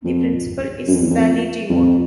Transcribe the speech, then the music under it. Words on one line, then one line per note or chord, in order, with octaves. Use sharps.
The Principal is Sali Devon.
F2
F#2
F2
E2
F2
F2